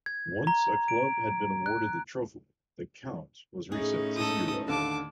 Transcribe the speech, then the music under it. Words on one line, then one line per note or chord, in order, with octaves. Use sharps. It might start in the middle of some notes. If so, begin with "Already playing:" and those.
Once a club had been awarded the trophy, the count was reset to zero.
G#6
A#5
D7
F#6
A2 C#4 D#4 G#4
G#2 A4 D#6
D#2 D3 A5 D6